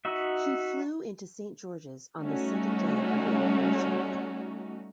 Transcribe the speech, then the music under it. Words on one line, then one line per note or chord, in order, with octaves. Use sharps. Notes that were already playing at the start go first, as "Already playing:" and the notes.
He flew into Saint George's on the second day of the operation.
D#4 F#4 E5
G3 A3 C#4 D#4 F#4